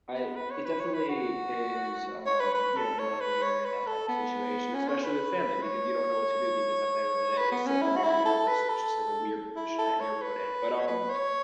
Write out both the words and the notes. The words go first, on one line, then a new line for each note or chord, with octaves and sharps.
I it definitely is, um, you know, annoying when you're in that type of situation, especially with family because you don't know what to do because at the end of the day, they still are your family, so it's just, like, a weird position that you're put in, but, um,
B3
B4
C#5
B4
C#5
B4
F#4
C#5
B4
B4
A4
C#5
B4
C#5
B4
A4
B3
C#4
C#5
B4
C#5
B4
B3
C#4
E4
F#4
E4
A4
B4
A4
E4
A4
C#5
B4
C#5
B4
C#5